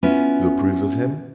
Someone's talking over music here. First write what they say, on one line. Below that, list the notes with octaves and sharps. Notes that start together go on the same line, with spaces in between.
"You approve of him?"
B3 C#4 E4 F4 B4